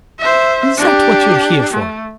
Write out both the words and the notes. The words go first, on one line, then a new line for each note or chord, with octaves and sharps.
Is that what you're here for?
C5 E5
D4 G4
A3